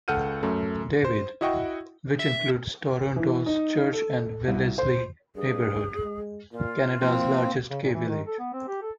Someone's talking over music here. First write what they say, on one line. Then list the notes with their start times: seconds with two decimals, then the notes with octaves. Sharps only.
David, which includes Toronto's Church and Wellesley neighbourhood, Canada's largest gay village.
0.08 C#2 A4 F#5 F6 G6 D#7
0.43 F#2 A3
1.04 C5
1.41 E4 F#4 D#5 F#5 G5 C#6
2.19 E5
3.16 E3
3.46 D#4
3.93 A4
4.47 C2
4.78 C5
5.36 G2 G#4
6.03 G#3
6.53 A#2 F4
7.01 F3 A#3 C4
7.70 C#3
7.82 A#2
7.94 E3
8.08 D#3
8.27 A4
8.39 B3
8.53 C4
8.67 G4
8.82 A4